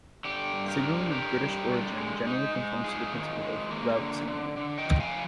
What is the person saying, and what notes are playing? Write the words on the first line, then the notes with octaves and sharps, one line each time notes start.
Signalling of British origin generally conforms to the principle of "route signalling".
D3 G4
G2
G4 A#4
D4
D3 G4 A#4
G3
D3
G#3
D#4
G#3
D#4 F4 G#4
D#3
G#3
A#3
D3
D3
D3
D#5 G5
F3
F5 G#5